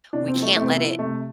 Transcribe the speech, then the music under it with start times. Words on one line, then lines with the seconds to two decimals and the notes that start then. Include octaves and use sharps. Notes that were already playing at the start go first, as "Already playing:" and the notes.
we can't let it
0.13 C3 D4
0.28 C4
0.34 F3
0.42 A3
0.55 C3 A3
0.62 C4
0.67 B3
0.77 F3 E4
0.99 C3 A3